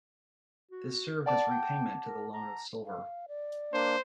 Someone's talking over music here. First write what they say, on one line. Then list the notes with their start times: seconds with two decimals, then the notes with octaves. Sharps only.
This served as repayment to the loan of silver.
0.71 F#4
1.26 D5 F#5 A5 D6
1.51 G5
2.05 A#4
2.33 A#5
2.85 F5
3.28 D5
3.73 A#3 D4 C5